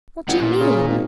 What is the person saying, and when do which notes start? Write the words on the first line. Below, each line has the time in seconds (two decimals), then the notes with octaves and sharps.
"What do you mean?"
0.28 A1 G2 F#5
0.40 A1 A#2
0.60 C#3
0.88 G#1